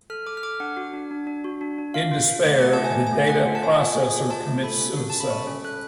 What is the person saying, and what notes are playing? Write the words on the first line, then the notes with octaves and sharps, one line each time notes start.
In despair, the data processor commits suicide.
A4 F6
A4 D6
F6
A4 D6
D4 F#5
F#4
D4
D4
D4
F#4
D4
D4
F4 F5
F4
F4
A3
A3 F#5
A3 A5
G#5
A3
G#5
A3
G#5
G#4 F#5
F4
A5
F4 G#5
F4
G#4 G#5
F4
F4 A5
A3
A4 B5
C#4
F#4
C#4 A5
B5
A4 C#6
C#4
A4 F#6